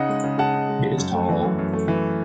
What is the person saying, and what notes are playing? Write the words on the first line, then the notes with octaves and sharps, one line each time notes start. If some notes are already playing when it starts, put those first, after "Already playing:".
It is tall.
Already playing: C#3 D#4 D#5 F#5
G#3
C#3
C#3 F#5 A5
D#4
G#3
C#3
F#2
A3
E3
F#2
F#2
A3
E3